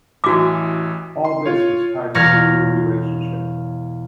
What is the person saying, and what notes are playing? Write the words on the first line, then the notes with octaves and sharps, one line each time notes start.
All this was tied to his new relationship.
A1 E3 F#4 D6
C6
F4 C#5
E1 A#4 C#5 D5 F6 A#6